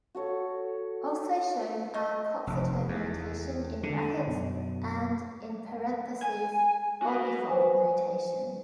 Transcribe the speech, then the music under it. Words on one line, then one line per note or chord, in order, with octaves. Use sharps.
Also shown are Coxeter notation in brackets, and, in parentheses, orbifold notation.
F#4 A4 C#5
D#5
F1
E2
D3
F#2 B2
G#5
F#4 B4
B4 C5 G#5